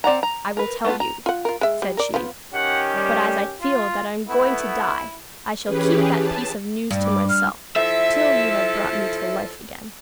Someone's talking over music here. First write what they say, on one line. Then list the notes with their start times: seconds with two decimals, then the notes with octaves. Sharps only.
'I will tell you,' said she; 'but as I feel that I am going to die I shall keep that piece of news to myself, till you have brought me to life again.'
0.04 C4 D5 F#5 A#5
0.23 A#5
0.57 A#4 B4
0.85 A3 B3 D4 F4
1.00 A#5
1.26 F4 F#5
1.45 F4 A#4
1.61 G#3 E5
1.82 G3
1.97 A#4 D5
2.14 F3 B3 F4
2.54 D#3 C#4 G4 F#5
2.95 G3
3.62 F4
4.29 A3 B3 E4
5.63 E3 C#4 G4 G#4 B4
6.12 A5
6.91 G2
7.06 D6
7.29 F6
7.76 F3 E4 A4 E5